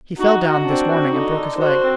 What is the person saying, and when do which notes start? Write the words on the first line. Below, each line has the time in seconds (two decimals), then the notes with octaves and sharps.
He fell down this morning and broke his leg.
0.18 D#4 F#4
0.41 F#4
0.64 C4 D4
0.88 F#4
1.11 D3 D#4
1.35 D3
1.58 F#4 C5
1.81 C4